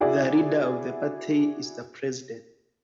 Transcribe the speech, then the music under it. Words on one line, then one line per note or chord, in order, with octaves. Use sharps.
The leader of the party is the President.
E4 F#4 G#4 D5 E5